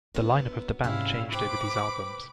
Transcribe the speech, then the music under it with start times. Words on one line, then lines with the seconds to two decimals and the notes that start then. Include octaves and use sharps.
The lineup of the band changed over these albums.
0.14 F#2 B3 D4 E4
0.84 G#2 C3 G3 G#3 C#4 E4 F5
1.32 B4 C5 G5 B5 D6